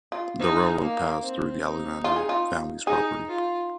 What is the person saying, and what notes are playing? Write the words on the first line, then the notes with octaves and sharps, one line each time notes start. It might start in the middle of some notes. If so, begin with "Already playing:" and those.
The railroad passed through the Alexander family's property.
F4
D#4
A#3
C4
D#4
F4
G#4
F4
D#4 G#4
F4